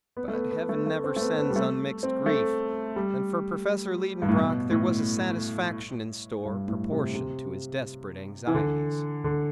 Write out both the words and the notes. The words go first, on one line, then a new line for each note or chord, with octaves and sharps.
But Heaven never sends unmixed grief, and for Professor Liedenbrock there was a satisfaction in store proportioned to his desperate anxieties.
B3
A3
B3
B3
A3
A3
C4
A3
B3
B3
G3
A3
C4
A3
G3
G2
A2
B2
A2
G2
A2
C3
C3
E3
D3
D3